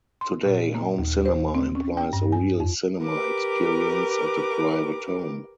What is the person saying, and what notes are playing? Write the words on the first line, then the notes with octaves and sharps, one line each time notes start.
Today, home cinema implies a real "cinema experience" at a private home.
C6
A#2
A#3
D#2
C5
C4
C#4
G5
G2
G#5
F2
G4 A#4 B4 D6